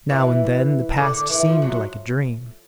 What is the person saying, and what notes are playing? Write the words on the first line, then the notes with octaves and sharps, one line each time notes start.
Now and then the past seemed like a dream.
E3
D3
D3
E3
F3
F#3